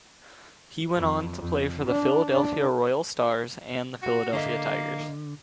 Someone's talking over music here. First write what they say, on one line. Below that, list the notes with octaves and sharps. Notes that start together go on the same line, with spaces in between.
He went on to play for the Philadelphia Royal Stars and the Philadelphia Tigers.
F2
F2
D4
D4
F#4
D3 A#3 A4 D#5 E5